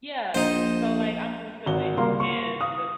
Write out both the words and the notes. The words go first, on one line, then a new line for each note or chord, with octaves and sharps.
Yeah, so, like, I'm from Philly, and
A#1 D#4 C5
G#1 F#4 G7
C#2 G3 A#3 A#4 F5 C6
C#6
F5 D#6